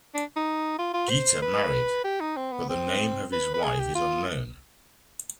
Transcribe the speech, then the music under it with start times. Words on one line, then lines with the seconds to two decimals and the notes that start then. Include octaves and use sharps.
Geta married, but the name of his wife is unknown.
0.14 D4
0.36 D#4
0.78 F4
0.94 F4
1.09 C5
1.42 B4
2.04 G4
2.21 D#4
2.36 C4
2.52 B3
2.69 C4
3.32 B4
3.54 B4
3.63 G#4
3.79 G4
3.95 F4